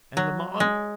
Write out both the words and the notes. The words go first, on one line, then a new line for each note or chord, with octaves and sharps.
"And La Mon?"
F#3
G#3